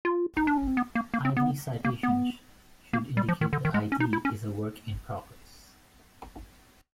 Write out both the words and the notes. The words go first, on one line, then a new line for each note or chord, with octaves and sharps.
I-D citations should indicate the I-D is a "work in progress".
F4
D#4
D4
C#4
C4
B3
A#3
A#3
C4
B3
A#3
B3
A#3
G3
F3
D#3
D3
D#3
G#3
C#4
D#4
E4
C#4